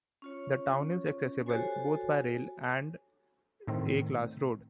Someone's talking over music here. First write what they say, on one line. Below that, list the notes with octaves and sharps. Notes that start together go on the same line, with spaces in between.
The town is accessible both by rail and an A class road.
C#4 F4 C#5
F#4 G4 A4 C5 C#5 G#5
A2 D#3 C4